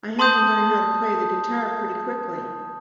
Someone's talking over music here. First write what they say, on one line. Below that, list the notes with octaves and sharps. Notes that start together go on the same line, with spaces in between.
"I had to learn how to play the guitar pretty quickly".
A5 C6 D#6 G6